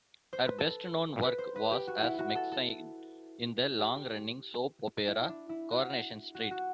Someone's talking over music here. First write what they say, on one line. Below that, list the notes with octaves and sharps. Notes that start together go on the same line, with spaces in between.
Her best known work was as Maxine in the long-running soap opera "Coronation Street".
C5
B4
A4
B4
C5
B4
G4
F#4
E4
F#4
A4
A4
G4
E4
D4
E4
F#4
F#4
F#4